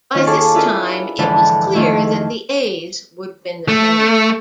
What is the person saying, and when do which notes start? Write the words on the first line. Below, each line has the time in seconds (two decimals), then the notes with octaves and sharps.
By this time, it was clear that the A's would win the pennant.
0.15 D#3 C#4 F4
0.26 D#2 G#4 A4 C#6 D6
0.55 D4 E4 F4 A#4 B4
1.18 F2 G#2 D3 E3 B4 A5
1.74 F2 D#3 A3 E4
3.69 A3